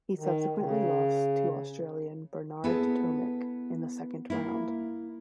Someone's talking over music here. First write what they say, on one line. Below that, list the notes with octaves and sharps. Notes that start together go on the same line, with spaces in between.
He subsequently lost to Australian Bernard Tomic in the second round.
D#3
C#3
B3 E4 G#4 A4
A#3 E4